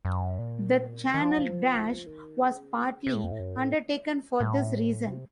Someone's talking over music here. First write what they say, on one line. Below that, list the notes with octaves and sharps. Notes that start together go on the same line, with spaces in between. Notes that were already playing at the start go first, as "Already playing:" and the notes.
The Channel Dash was partly undertaken for this reason.
F#2
A#2
C3
D#3
F3
F#3
F3
D#3
C#3
C3
A2
F2
A2
F#2
A2
A2
C3